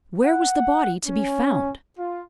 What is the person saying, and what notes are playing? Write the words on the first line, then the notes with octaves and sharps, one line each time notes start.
Where was the body to be found?
F#5
C#4
F4